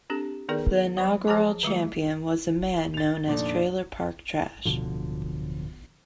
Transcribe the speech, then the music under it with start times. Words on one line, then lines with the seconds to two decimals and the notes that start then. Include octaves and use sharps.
The inaugural champion was a man known as Trailer Park Trash.
0.10 C4 D4 G4 A4
0.49 D#3 B3 D#4 G#4 A#4 D5
0.97 F#3 C5 D5 B5
1.27 F3 G#4 C5 A5 A#5 D6
1.63 D#3 G3 A3 F4
2.94 A6 F7
3.27 F1 A#2 D3 D4 D#4 D5
4.65 D1 B2 D3 F3